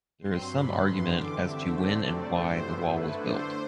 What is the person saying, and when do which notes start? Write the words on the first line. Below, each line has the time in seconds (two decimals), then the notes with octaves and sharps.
There is some argument as to when and why the wall was built.
0.20 G2 F#3 C4 C6
0.50 G2 D3 F#3 B5
0.80 F#2 E3 B3 C6
1.10 E2 D3 G3 D6
1.39 D3 A3 C4 E5
1.69 E2 D3 A3 D4 C5
1.99 C3 F#3 A3 C4 D5
2.28 G2 E3 A3 C5
2.58 F#2 F#3 B3 E4
2.88 D3 A3 E4 B4
3.17 D3 A3 D4 C5